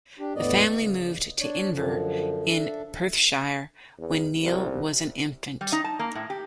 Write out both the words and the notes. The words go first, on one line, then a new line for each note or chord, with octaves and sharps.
The family moved to Inver in Perthshire when Niel was an infant.
D4 G4
E2 A2 B3 D5 D#5
C#3
D4 C#5 D5
F#2 D3 F3
D4 A4 E5
E2
C2
G3
D#4
A5
A#3
A2
G4